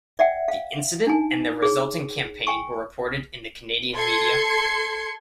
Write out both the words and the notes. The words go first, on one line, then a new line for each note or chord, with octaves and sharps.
The incident and the resulting campaign were reported in the Canadian media.
D5 E5 F#5 G5
F5
D4 D#4 G#5
G#4 C#5
G5 G#5 C#6
A4 C6 G#6 C7 C#7